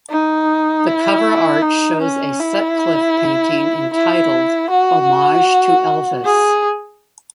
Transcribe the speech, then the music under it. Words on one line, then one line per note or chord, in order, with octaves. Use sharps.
The cover art shows a Sutcliffe painting entitled "Homage to Elvis".
D#4
E4
D#4
C#4
E4
E4
F#4
G#4